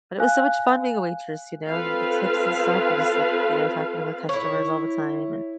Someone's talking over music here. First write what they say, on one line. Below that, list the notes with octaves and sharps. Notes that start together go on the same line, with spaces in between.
but it was so much fun being a waitress, you know, and the tips and stuff and just, like, you know, talking to the customers all the time, and it
F5 G#5 F#6
C4 F4 A4 B4 F5
E4 C#5